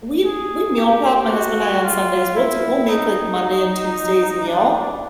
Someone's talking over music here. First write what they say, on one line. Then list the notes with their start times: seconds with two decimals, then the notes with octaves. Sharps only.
we we meal prep, my husband and I, on Sundays we'll do we'll make, like, Monday and Tuesday's meal,
0.25 G#4
0.77 G4
1.30 F#4
1.84 F4
2.36 E4
2.89 D#4
4.47 D4